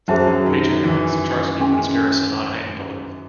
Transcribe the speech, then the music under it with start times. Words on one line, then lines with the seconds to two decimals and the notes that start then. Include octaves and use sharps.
Major Henryk Sucharski put his garrison on heightened alert.
0.08 F#2 F#3 G#4 C5 E5 A5
0.27 F#2 F#3
0.46 D#3
0.84 E3
1.60 C#4 G#4 D#5 G#5 C6